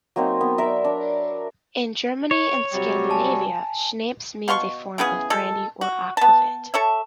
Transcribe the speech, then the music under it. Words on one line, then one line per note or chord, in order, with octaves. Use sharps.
In Germany and Scandinavia, schnapps means a form of brandy or aquavit.
F#3 A#3 C4 D#4
B3
A#4 D5 E5
D4
C#5
C3 F#3 G3
G#5 A5
B2 F5 C6 C#6
C#3 E3 B3 G#4
F3 G#3 A4
F#4
B3 A5
A4 C#5 E5